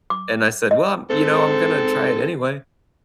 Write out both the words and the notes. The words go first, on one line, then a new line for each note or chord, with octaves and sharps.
and I said, "Well, you know, I'm gonna try it anyway."
D6
D#5
G#2 C4 A4